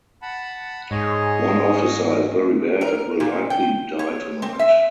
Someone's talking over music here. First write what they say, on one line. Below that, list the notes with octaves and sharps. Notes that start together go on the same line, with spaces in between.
One officer is very bad and will likely die tonight.
F#5 A5 B5
G#2 G#4 C#5 D#5
A#4
A#2
G5
C#5
C4
E5